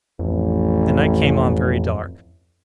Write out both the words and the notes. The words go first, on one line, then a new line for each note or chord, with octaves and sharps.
The night came on very dark.
A1 F2